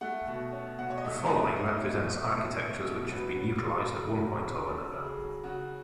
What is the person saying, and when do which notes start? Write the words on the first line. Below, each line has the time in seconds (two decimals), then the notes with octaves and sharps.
The following represents architectures which have been utilized at one point or another.
0.01 A3 F#5
0.27 B2
0.52 C#4
0.79 B2 F#5
0.90 C#5
0.98 D#5
1.04 A3 E5
1.30 B2 D#5
1.56 C#4 D#5
1.82 B2
2.08 A3
2.34 B2
2.60 C#4
2.85 B2
3.11 F#3 B4
3.37 C#3
3.63 C#4
3.89 C#3
4.14 F#3
4.40 C#3
4.66 C#4 A4
4.92 C#3
5.05 G#4
5.18 F#3
5.44 C#3 F#4